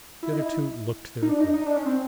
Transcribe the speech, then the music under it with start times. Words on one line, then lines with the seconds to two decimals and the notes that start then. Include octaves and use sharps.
The other two looked their approval.
0.23 E4
0.33 D#4
0.42 E4
1.22 D#4
1.29 D4
1.41 D#4
1.54 D#4
1.66 D4
1.76 C#4
1.86 C4